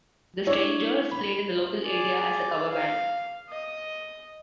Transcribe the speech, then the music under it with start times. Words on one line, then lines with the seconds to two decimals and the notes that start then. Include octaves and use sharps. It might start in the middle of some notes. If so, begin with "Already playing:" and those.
The Strangeurs played in the local area as a cover band.
0.47 D4 E4 C#5
1.11 B5
1.83 G#4 D5
2.70 F5
3.49 D#5